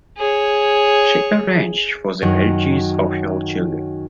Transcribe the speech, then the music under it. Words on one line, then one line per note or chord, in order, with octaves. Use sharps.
She arranged for the marriages of her children.
G#4 C#5
F#2 D#3 F#3